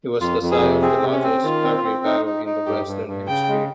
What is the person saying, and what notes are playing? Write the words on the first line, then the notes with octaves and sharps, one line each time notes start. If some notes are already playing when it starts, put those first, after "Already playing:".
It was the site of the largest cavalry battle in the western hemisphere.
F2 F4
F2
G#4
C3
C4 G#4
C3
C#4
C4
D#3 F4
C4
C4
D#4
D#4
D#4
G2 G4
G2
G2
C#3 G5
G#3